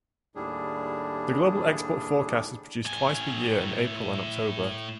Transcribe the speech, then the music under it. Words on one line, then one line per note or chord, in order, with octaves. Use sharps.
The Global Export Forecast is produced twice per year in April and October.
D#2 A2 G3 D4 G#4
A2 G#5